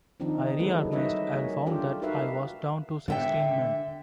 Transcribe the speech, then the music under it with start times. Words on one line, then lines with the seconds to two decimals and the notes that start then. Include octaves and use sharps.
I reorganized and found that I was down to sixteen men.
0.20 D#3 F3 C4 D4 D#4
0.59 E3 F#3 G#3 A#3 A4 B4
0.92 G3 D#4 F#4 B4 D#5 E5
1.32 A#3 G#4 C#5
1.66 D4 F4 G4 A4
2.02 D#4 F#4 A#4 B4 E5 F5
3.08 D3 E5 G5